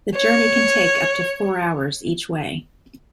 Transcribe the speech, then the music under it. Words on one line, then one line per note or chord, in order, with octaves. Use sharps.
The journey can take up to four hours each way.
C#5